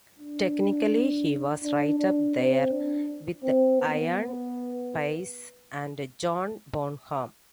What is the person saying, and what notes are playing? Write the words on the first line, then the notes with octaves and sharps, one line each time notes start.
Technically, he was right up there with Ian Paice and John Bonham.
D4
D4
D4
C4
D4
C4
B3